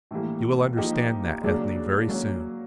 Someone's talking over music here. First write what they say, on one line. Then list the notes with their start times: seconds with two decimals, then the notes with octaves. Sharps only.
You will understand that, Ethne, very soon.
0.11 A2 E3 G3 A#3
0.77 F3 A#3 D#4 G4
1.43 C#3 F#3 A#3 D4
2.08 F#3 A#3 C#4